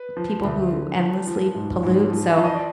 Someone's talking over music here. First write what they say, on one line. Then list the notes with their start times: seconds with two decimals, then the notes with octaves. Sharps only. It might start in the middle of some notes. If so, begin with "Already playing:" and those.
people who endlessly pollute, so
Already playing: B4
0.17 F3
0.44 D2
0.72 D3
0.99 F3
1.27 F3
1.55 G#2
1.83 G#2
2.09 F3
2.34 F3 F5
2.44 D#5
2.55 D5